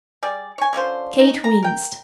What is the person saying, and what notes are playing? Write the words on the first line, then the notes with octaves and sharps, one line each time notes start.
Kate winced.
G3 G#4 D5
C#5 G#5
D3 C#4 F4 C5
D#4
A#5
A#4 G5